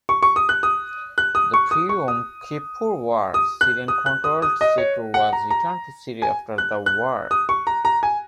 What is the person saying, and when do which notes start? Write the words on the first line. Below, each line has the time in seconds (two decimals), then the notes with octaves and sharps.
The pre-Yom Kippur War Syrian-controlled sector was returned to Syria after the war.
0.09 C#6
0.23 C#6
0.36 D#6
0.49 F#6
0.63 D#6
1.18 F#6
1.35 D#6
1.54 C#6
1.71 D#6
1.89 C#6
2.08 D#6
3.34 D#6
3.61 F#6
3.88 D#6
4.06 F#6
4.24 D#6
4.42 D#6
4.61 D#5
4.78 C#5
5.14 F#5
5.33 A#5
5.51 A#5
6.22 G#5
6.58 F#6
6.86 F#6
7.31 D#6
7.49 C#6
7.67 A#5
7.85 A#5
8.03 G#5